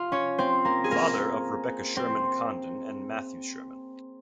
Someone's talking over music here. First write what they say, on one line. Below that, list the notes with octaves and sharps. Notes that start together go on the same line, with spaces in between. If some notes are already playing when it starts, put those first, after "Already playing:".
Father of Rebekah Sherman Condon and Matthew Sherman.
Already playing: F4 F5
C#4 C#5
C4 C5
A#3 A#4
G#4
A#3 A#4
C4 C5